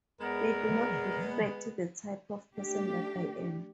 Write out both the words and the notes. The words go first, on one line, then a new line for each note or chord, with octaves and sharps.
They do not reflect the type of person that I am.
E2 G#3 B3 A#4
A3 D4 G4